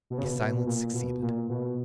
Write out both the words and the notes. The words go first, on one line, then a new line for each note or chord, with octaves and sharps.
A silence succeeded.
B2
C#3
B2
B2
B2
A#2
B2
A#2
B2